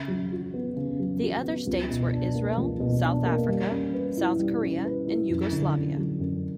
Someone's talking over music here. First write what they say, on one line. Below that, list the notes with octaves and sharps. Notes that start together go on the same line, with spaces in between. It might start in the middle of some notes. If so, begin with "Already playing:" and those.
The other states were Israel, South Africa, South Korea, and Yugoslavia.
Already playing: C#3
F#3
F#4
B3
C#3
F#3
F#4
B3
C#2
B2
D4
A#3
C#2
B2
D4
A#3
G3
C#4
B4
E4
G3
C#4
B4
E4
F#2
D3
C#4
F#3
F#2